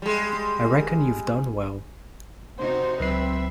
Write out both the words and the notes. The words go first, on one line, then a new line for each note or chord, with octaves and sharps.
I reckon you’ve done well.
G3 G#3
C3 D#4 F#4 C5
C#2 F#3 C4 B4 E5 C7